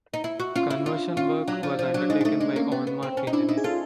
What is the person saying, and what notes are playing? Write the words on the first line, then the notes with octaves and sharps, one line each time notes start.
Conversion work was undertaken by On Mark Engineering.
D#4
E4
F#4
C#4 F4
E4
D4 F4
C#4 F4
F#3 D4
F3 D4
F3 D4
F#3 D4
G#3 D#4
G#3
A3 D#4
G#3 D4
A#3 C#4
B3 C#4
B3
C4
C#4
D#4
D4 E4
D#4 E4
G#4
F4 A4